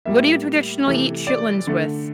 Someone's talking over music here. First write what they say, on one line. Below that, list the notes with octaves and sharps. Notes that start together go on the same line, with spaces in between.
What do you traditionally eat chitlins with?
A2 G3 A#3 E5
C3 E3 A3
D5
D3 A3